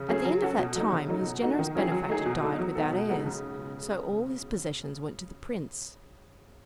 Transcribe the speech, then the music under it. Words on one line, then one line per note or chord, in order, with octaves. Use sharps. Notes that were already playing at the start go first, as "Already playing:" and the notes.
At the end of that time his generous benefactor died without heirs, so all his possessions went to the prince.
Already playing: C#3
F#3 A3 C#4 G#4
F#3
C#4 F#4 A4
B2
F#3 A3 D#4
C#3
F#3 A3 D#4
B2
A3 D#4 F#4
D#3
F#3 C#4 E4 G#4
F#3
A3 D#4 G#4
B2
A3 D#4
F#3
B3 D#4 A4
B2
G#3 B3 D#4 A4
C#3